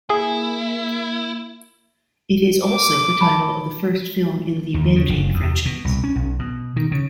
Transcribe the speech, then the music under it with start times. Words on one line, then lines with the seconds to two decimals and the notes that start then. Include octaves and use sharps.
It is also the title of the first film in the "Benji" franchise.
0.10 A#3 E4 G#4
2.65 D6
3.21 A5 B5
4.74 D#2
4.96 C#3
5.09 F#1
5.34 E2
5.65 B2
5.85 C2
6.04 C#4
6.16 B1
6.39 B2
6.76 D#3
6.92 C#3